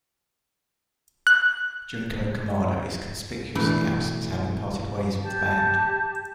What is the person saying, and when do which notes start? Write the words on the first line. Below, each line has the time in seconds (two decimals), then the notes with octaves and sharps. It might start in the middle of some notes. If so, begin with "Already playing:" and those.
Junko Kamada is conspicuously absent, having parted ways with the band.
1.27 F#6
3.55 B2 E3 A3 D4 E4 B4
5.23 G4 A5